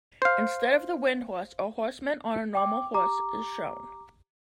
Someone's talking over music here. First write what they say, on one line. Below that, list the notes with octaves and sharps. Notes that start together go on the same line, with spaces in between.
Instead of the Wind Horse, a horseman on a normal horse is shown.
C5 F5
G5 D6
G4 A#5 D6